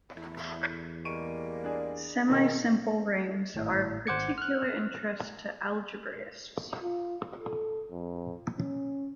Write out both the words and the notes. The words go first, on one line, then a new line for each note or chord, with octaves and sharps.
Semisimple rings are of particular interest to algebraists.
E2 A3 E4
G3 G#3 A#3 C#6 D7 D#7
D4 G#4 D5
F2 G#2 B2 D#3 D#4
G#1 A2
G#1 C5 F#5 D6 G#6 C#7
F6 F#6
F4
A4
F2
C#4